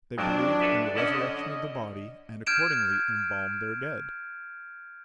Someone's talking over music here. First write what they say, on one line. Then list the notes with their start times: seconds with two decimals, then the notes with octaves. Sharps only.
They believed in the resurrection of the body, and accordingly embalmed their dead.
0.18 F2 F3 F#3 D4
0.60 A4 B4 E5
0.95 D3 C#4 D#5 F#5 A5
2.47 F6 G6 G#6 D7 E7